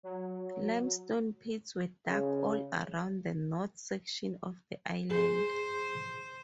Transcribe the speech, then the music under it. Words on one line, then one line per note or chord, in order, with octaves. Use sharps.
Limestone pits were dug all around the north section of the island.
F#3
C#3
G#4 C5